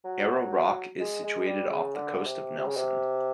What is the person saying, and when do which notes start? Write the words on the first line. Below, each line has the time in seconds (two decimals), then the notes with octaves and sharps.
Arrow Rock is situated off the coast of Nelson.
0.04 F#3
0.99 G#3
1.24 G#3
1.47 G3
1.71 C#3
1.94 D3
2.26 C3
2.58 C3
2.67 C#3
2.76 C3